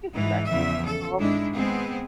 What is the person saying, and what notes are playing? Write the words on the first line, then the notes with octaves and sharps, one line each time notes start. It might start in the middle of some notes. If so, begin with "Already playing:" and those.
Just mess with people.
G#2 E3
E2 C#3 E3 F3 E5
A4
G#2 D#3 G#3 D4 E4
G#3 B3 C4 G#4